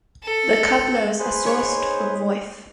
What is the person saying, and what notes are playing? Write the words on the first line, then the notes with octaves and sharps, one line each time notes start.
The couplers are sourced from Voith.
A4
G#4 B4 C5
G#2 C#5